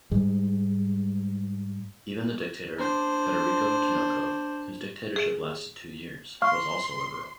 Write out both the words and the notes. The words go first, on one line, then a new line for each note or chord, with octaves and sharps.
Even the dictator Federico Tinoco whose dictatorship lasted two years was also liberal.
G#2 G3 G#3
D4 C5
G#4
F5 C6 C#6 F6